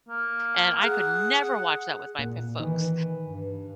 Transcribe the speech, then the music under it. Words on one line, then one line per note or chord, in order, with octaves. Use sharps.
and I could never watch that with my p folks.
A#3
G#4 F#5
A#2
D#3 E3
G2